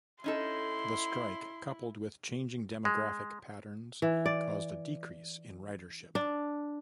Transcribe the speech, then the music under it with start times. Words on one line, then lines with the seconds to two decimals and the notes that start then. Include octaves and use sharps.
The strike, coupled with changing demographic patterns, caused a decrease in ridership.
0.24 C#4 D#4 E4 A4 C6
2.85 G#3
4.02 E3
4.26 D5
6.15 D4